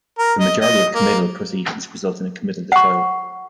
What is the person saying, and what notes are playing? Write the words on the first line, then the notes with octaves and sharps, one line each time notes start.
The majority of committal proceedings result in a committal to trial.
A#4
D#5
D#5
A#3
F#5 C#6